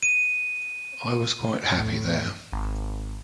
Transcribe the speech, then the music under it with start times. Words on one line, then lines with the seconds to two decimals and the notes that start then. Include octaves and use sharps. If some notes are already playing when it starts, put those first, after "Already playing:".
I was quite happy there.
0.03 D#7
1.74 A2
2.53 G#1